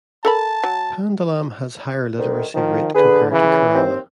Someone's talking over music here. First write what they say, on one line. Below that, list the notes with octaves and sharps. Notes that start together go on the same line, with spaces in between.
Pandalam has higher literacy rate compared to Kerala.
A4 A#4 A5 B5
F#3
D2 D#3
D#3 F3
D3 G#4 B4
C#3 E3
D#2 C4